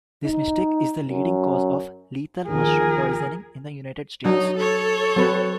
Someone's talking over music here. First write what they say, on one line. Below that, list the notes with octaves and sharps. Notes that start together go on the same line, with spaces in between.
This mistake is the leading cause of lethal mushroom poisoning in the United States.
D#4
F#2
D#2 D#3 F3 G#4 A#4
F#3 D4 D#4
A4 C#5
F#3 C4 B4